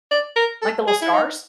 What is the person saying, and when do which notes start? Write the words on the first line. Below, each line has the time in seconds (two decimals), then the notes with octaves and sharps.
Like the little stars?
0.11 D5
0.36 A#4
0.62 A4
0.87 G#4
1.02 E4
1.13 D#4